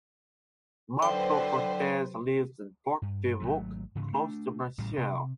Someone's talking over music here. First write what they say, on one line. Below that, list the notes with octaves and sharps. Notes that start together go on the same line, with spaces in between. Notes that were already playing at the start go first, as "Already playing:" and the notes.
Marco Cortes lives in Port-de-Bouc, close to Marseille.
D3 F#3 B4 C5 G5
G2
G#1 F#2 F#3 A3
G#2 C#3 E3
A3 D4
A1 A2 C#3 G3
C3